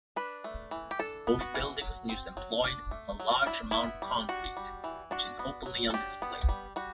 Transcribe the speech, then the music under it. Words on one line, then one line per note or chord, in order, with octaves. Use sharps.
Both buildings use employed a large amount of concrete, which is openly on display.
D4 B4
A3
E3
G4
D4 A4
B3
F#4
E3
F#3
C4
F#3
D4
A3
F#3
D4 E4
B3 E4
G3
D4 F#4
G3
E3
D4 F#4
B3
F#3
A4
D4 G4
B3
G3
G3 F#4